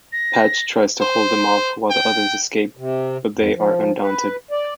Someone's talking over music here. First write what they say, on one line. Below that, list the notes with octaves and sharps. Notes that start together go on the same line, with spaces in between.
Patch tries to hold them off while the others escape, but they are undaunted.
A#6
C5
G5
C3
F2
F3
B4
D5